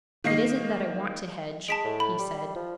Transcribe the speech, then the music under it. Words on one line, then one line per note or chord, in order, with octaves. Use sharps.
'It isn't that I want to hedge,' he said.
D#3 A#3 D#5 C7
G#3 A5 B6 D7
A2
B5
G3
F3